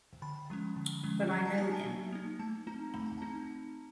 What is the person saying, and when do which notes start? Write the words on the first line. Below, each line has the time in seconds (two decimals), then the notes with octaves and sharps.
But I know him.
0.22 D3 B5
0.50 F3 G#3 C#4
0.76 D3
1.03 F3 G#3 C#4
1.31 F#3 A#5
1.45 A5
1.58 A#3 D#4 G#5
1.72 A5
1.86 F#3
2.12 A#3 D#4
2.39 A3 A5
2.67 C4 D#4 A#5
2.94 A3 B5
3.06 A#5
3.18 C4 D#4 A5